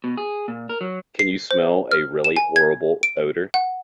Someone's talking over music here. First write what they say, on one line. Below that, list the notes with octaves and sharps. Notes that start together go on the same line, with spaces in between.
Can you smell a really horrible odour?
B2
G#4
A#2
A#4
F#3
C7
C5
F6
E7
G#5
G#6
D7
F#5